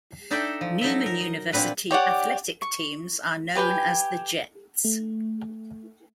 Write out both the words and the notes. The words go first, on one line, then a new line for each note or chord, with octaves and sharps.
Newman University athletic teams are known as the Jets.
D4 D#4 A4 D5 E5 G5
F3
F#3 D#4 A4 E5
A#4
D#5
A#2 C4 D4 B4 F#5
G4 C#5 D5 F#5
C#6
G4 B4 G5 G#5
A3